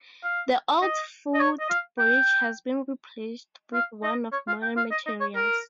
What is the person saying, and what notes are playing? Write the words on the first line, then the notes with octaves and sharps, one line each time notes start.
The old footbridge has been replaced with one of modern materials.
F5
D#5
D#5
C#5
D#5
F5
G5
F5
D#5
C#5
F5
G5
F5
D#5
D#5
C#5
A#4